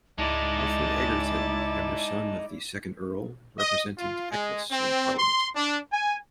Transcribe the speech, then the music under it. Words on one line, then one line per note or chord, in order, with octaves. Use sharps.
Alfred Egerton, younger son of the second Earl, represented Eccles in Parliament.
C#2 G#3 D#4 E4 D5 A5
D#5
F4
G#3
C4
C6
D4
G#5